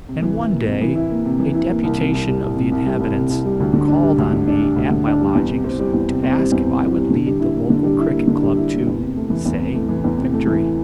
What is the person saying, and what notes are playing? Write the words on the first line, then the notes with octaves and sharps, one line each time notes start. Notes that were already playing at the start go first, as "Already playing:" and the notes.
And one day a deputation of the inhabitants called on me at my lodgings to ask if I would lead the local cricket club to, say, victory.
C3
E3
E4
A#3
C3
E3
E4
A#3
C3
E3
E4
A#3
C2
C3
C2
G3
C2
C3
C2
G3
C2
C3
C2
G3
D2
D3
D4
G3
D2
D3
D4
G3
D2
D3
D4
G3
E2
C3
C4
G3
E2
C3
C4
G3
E2
C3
C4
G3
D3
G3
E4
A#3
D3
G3
E4
A#3
D3
G3
E4
A#3
E2
C3
A3
E3
E2
C3
A3
E3
E2
C3
A3
E3